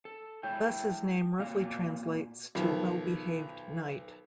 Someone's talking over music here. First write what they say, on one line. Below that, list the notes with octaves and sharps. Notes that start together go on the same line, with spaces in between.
Thus his name roughly translates to well behaved knight.
A4
G#3 E4 C#5 G5
A#2 A#3 F#4 F5
B1 D#3 F3